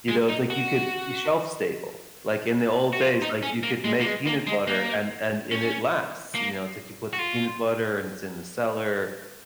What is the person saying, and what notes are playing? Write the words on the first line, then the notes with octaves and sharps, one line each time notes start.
you know? It’s like, you could you shelf stable, like in the old days, like, you could make peanut butter, and and and it lasts, you know, it’s like you put the peanut butter, and it’s in the cellar,
G#3
D#4
F#4
F#4
F4
D#4
C#4
A#3
G#3
A#3
G#3
A#3
G#3
A#3
C#4
A#3
F#4
F4